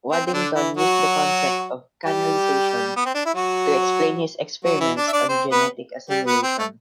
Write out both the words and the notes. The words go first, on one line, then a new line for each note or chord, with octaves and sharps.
Waddington used the concept of canalisation to explain his experiments on genetic assimilation.
C4
C4
D3 D4
E3 E4
F#3 F#4
G3 G4
B3
C4
D4
E4
F#3 F#4
F#3 F#4
E3 E4
D4 D5
E5
D4 D5
C4 C5
B3 B4
G3 G4
B3 B4
C4
A3